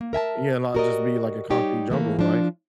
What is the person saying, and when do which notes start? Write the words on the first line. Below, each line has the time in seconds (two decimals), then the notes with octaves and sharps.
yeah, not just be, like, a concrete jungle, right,
0.01 A#3
0.13 A#4 E5 G#5 A5
0.75 F#4 G4 A#4 C5 D5 D#5
1.50 G3 D#4 G4 C#5
1.90 E3 A3 A#3
2.19 F3 D4